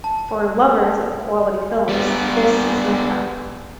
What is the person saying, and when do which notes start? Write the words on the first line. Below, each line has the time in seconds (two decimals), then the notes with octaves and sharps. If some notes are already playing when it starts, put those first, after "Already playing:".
For lovers of quality films, this is Mecca.
0.04 A5
1.89 G3 B3